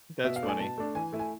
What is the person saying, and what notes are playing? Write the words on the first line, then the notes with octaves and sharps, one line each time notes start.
That's funny.
B2 E5
F5
A3 D4
G#5
B2 A5
A3 D4
E3 G#5
A3 E4
G#5